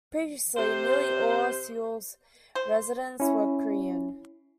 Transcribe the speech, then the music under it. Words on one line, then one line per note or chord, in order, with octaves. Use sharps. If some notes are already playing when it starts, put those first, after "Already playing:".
Previously, nearly all of Seoul's residents were Korean.
C3 C5
C5
C#4 E4